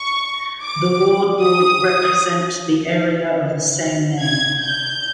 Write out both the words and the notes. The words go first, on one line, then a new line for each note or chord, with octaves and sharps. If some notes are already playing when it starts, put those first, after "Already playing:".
The ward will represent the area of the same name.
Already playing: C#6
D6
D#6
G#6
G6